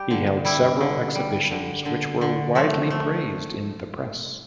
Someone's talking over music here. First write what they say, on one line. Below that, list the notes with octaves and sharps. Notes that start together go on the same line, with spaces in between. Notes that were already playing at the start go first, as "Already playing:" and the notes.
He held several exhibitions which were widely praised in the press.
Already playing: G3 G4
D3
G3 E4
D3
G3
D3
D3
D3
F3 A3
A3